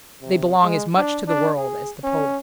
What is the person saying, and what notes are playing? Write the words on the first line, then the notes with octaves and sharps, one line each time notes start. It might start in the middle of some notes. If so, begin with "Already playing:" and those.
They belong as much to the world as to Poland.
C3
G#3
D4
D4
G#4
C#4